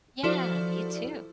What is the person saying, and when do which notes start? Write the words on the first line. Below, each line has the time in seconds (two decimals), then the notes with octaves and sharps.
Yeah, you too.
0.23 F3 E4 F#4 A4 C5 D5